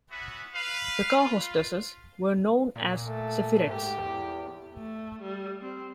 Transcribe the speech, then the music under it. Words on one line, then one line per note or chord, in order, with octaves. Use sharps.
The car hostesses were known as Zephyrettes.
B3 C#4 F#4 B4 E5
B4 F5
F4
A#2
A3
G#2 G4
E2
A3
G3
C4